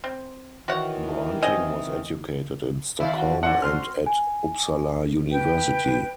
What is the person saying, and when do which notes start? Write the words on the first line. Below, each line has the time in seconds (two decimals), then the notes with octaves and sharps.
Branting was educated in Stockholm and at Uppsala University.
0.04 C4
0.68 D#3 E3 F#4 C#5 F#5
1.42 C4 G#4 D#5
3.00 D#3 C4 E4 D5 F5
3.15 F#4 F5
3.43 D3 C4 F#4 D5 F#5
3.62 C6 F6
4.06 G#5
5.32 B4 G5